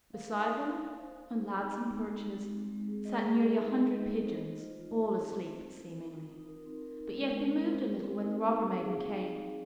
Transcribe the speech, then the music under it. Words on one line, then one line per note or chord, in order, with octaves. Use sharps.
Beside them, on laths and perches, sat nearly a hundred pigeons, all asleep, seemingly; but yet they moved a little when the robber maiden came.
F5
D#4
D#4
C5
D#4
C5
D#4
D#4
C4
G#3
G#3
G#3
G#3
G#3
C4
G#3
G#4
D#5
G#4
G#4
D#4
G#3
D#5
D#4
C5
D#5
F4
F4
C4
F4
C4
F4
C4
A#4
D#4
D#4
D#4
A#4
C4
A#4
D#4
G#3
C5
C4
C5
C5
C4
D#4
D#4
F5
G#4
F5
D#4
D#4
D#4